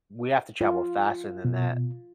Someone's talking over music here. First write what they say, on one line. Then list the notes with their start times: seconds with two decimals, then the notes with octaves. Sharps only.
We have to travel faster than that.
0.61 F4
1.45 B2